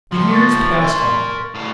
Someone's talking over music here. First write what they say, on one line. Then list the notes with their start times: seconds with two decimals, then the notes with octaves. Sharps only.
The years passed on.
0.12 C#2 F3
0.31 C#6 A6
0.70 B1
0.81 A#4 C6
1.55 A2 F5